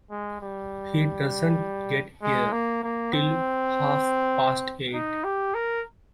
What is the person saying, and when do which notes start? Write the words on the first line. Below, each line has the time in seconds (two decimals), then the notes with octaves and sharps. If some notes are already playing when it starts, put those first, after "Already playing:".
He doesn’t get here till half-past eight.
0.10 G#3
0.41 G3
2.22 G#3
2.52 A#3
2.83 A#3
3.13 C4
4.93 D#4
5.24 G4
5.54 A#4